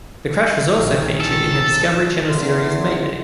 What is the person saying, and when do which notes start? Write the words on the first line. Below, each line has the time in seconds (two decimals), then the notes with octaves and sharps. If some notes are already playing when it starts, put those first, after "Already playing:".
The crash was also featured in the Discovery Channel series Mayday.
0.73 A#1 D#3 E3
1.20 A4
2.29 E2 C6